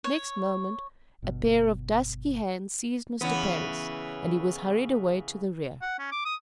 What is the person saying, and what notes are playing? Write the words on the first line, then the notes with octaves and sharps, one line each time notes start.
Next moment, a pair of dusky hands seized Mr. Parris, and he was hurried away to the rear.
C#5
G1 B2
C#3 E3 B3
F#5
C#4
D6
D#6